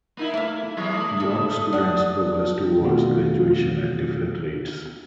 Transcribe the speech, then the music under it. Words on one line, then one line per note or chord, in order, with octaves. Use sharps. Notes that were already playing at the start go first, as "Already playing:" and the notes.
York students progress toward graduation at different rates.
A#3 D#4 E4
A3 E4 E5 F5 E6
E2 F#3 D#6
A3
A4
D4 F#5
B2 D#3 A3 C4 F4 F#4